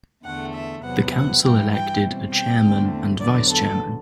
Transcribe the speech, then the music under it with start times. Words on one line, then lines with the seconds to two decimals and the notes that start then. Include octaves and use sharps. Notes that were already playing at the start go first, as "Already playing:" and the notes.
The Council elected a chairman and vice-chairman.
0.24 E2 D3 A3 F#5
0.54 E5
0.84 E2 C3 F#3 B3 F#5
1.13 F#5
1.43 G2 E3 G3 G5
1.72 G5
2.02 B2 G3 C4
2.31 G5
2.61 E2 D3 A3 C4
3.20 E2 D3 F#3 B3 D5
3.50 A4